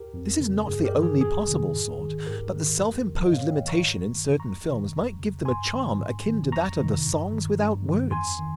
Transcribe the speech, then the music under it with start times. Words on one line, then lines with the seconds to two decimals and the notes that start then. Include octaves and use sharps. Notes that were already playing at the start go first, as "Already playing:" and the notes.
This is not the only possible sort, but the self-imposed limitation in certain films might give them a charm akin to that of the Songs without Words.
Already playing: G4 A#4
0.14 F2
0.41 C#3
0.67 G2 G#4
0.85 G4 A#4
0.94 D#3
1.03 G#4
1.20 F2 G#4
1.47 C3 D#3
1.74 G#2
2.00 D#3
2.27 G#2 G4 A#4
2.53 D#3
2.80 F2
3.06 D#3
3.25 D#5
3.33 G#2 C#5 F5
3.51 D#5 G5
3.60 D#3
3.68 A#5 C#6
3.87 G2
4.13 D#3
4.39 F2 A#5 C#6
4.66 C3 D#3
4.92 F2
5.19 C#3
5.45 G2 G#5 C6
5.73 D#3
6.00 G#2
6.26 D#3
6.52 F2 A#5 C#6
6.78 C3 D#3
7.05 G2
7.32 D#3
7.59 G2
7.85 D#3
8.11 F2 G#5 C6
8.39 D#3